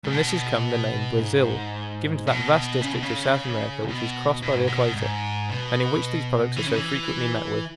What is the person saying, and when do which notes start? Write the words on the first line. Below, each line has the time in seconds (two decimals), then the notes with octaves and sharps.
From this has come the name "Brazil," given to that vast district of South America which is crossed by the equator, and in which these products are so frequently met with.
0.05 G#2
0.13 B2
1.19 G#2
2.27 B2
2.81 C#3
2.92 B2
3.02 C#3
3.84 G#2
3.88 B2
4.42 B2
4.55 G#2
4.67 B2
4.95 G#2
5.50 B2
6.57 E3
6.66 C#3
6.76 E3